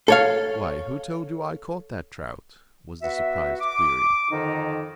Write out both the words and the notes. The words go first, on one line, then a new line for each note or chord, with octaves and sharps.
"Why, who told you I caught that trout!" was the surprised query.
A4 C#5 F5
B3 F#4 E5
D6
F2 D3 D#3 D#4